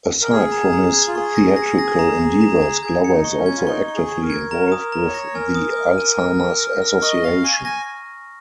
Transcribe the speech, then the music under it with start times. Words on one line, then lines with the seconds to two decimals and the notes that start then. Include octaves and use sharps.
Aside from his theatrical endeavours, Glover is also actively involved with the Alzheimer's Association.
0.22 A#4
0.31 G#4 F6
0.52 A#5
0.73 A#5
0.94 G#6
1.07 F4
1.15 G#4 C#6
1.36 A#6
1.56 A#6
1.79 A#6
1.99 A#5
2.19 A#5
2.41 A#5
2.62 A#5
2.83 G#4 G#6
3.04 C#7
3.11 D#4
3.25 C#6
3.39 C#4
3.46 G#6
3.57 F4
3.67 D#4 C#6
3.88 C#6
3.95 G#4
4.09 C#6
4.23 A#4
4.30 G#6
4.50 A#4 A#5
4.72 D#6
4.78 A#4
4.92 A#5
5.07 C#5
5.14 A#6
5.35 A#4 G#5
5.55 D#6
5.77 D#6
5.98 D#7
6.19 F6
6.40 F6
6.60 A#6
6.82 F6
7.02 D#5 C#6
7.24 F5 A#6
7.44 G#5 C#6
7.65 G#5 A#6